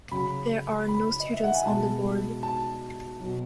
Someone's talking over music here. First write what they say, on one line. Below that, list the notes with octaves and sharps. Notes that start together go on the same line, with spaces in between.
There are no students on the Board.
C#3 F#3 B5
B5
D#5
E5
F#5
G#5
B2 G#3 A5
A5
B2 F#3